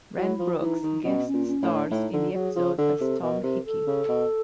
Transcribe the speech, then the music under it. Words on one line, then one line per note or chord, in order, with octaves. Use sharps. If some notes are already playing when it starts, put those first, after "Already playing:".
Rand Brooks guest stars in the episode as Tom Hickey.
F#3 E4
F3
E3 D#4
D#3
B2 C#4
C#4
A#2
C#4
A2
D4
A2 D#4
D3
F#3 G#4
F3
D3 A4
C3
B2 A#4
C3
A4
C#3
B2